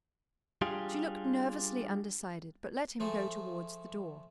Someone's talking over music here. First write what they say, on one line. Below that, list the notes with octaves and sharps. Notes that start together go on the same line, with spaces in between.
She looked nervously undecided, but let him go towards the door.
G3 D4 F4 G4 G#4
F3 A3 G#4 A4